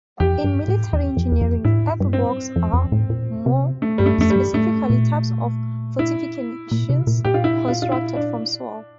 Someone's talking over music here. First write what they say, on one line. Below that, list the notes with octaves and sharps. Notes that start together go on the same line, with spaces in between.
In military engineering, earthworks are, more specifically, types of fortifications constructed from soil.
F2 G4
G2
A2
E2
F2
E2
F2
A2 E4
G2
C4
F2
F2
A2
A#2
C3
A3
G2 G3
A3
F2 A3
G3
G2
A2 A3
A#2
E4
A#2
C3
A#2
A#2 G4
F4
E4
F4
F4
E4
D4